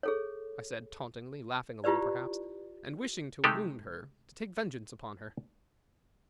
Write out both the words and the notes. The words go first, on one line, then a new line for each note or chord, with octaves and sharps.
I said tauntingly, laughing a little perhaps, and wishing to wound her, to take vengeance upon her.
G#4 A4 C#5
E4 F4 G4 B4 C5 D5
C3 G#3 A3 D#4 G4 A4